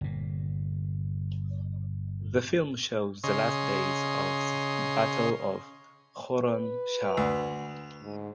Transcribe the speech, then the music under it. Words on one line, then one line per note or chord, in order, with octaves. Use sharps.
The film shows the last days of battle of Khorramshahr.
G1 A#2
C#3 C#5 D#5 C6
B4
D2
G#2